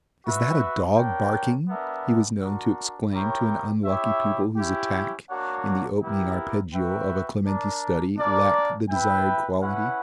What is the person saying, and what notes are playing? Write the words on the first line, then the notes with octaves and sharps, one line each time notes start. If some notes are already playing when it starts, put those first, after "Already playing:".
"Is that a dog barking?" he was known to exclaim to an unlucky pupil whose attack in the opening arpeggio of a Clementi study lacked the desired quality.
F#4 B4 E5
D4 A#4 C#5 G5
G3 B3 D4 A#4 E5
D4 F#4 A#4
E4 G4 A#4 C#5 G5
E4 G4 C#5 E5
C#4 E4 G4
A#3 D4 F#4 C#5 F#5
B3 E4 G4 A#4
F#4 B4 E5 G5
D4 A#4 D5
A#3 D4 A#4 D5
E4 B4 E5 G5
C#4 E4 B4 F#5